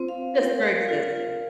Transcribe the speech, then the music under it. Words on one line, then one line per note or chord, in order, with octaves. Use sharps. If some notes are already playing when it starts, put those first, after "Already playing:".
Just for existing.
Already playing: C4 F4 C5
F5
A#4
F5
F4
F4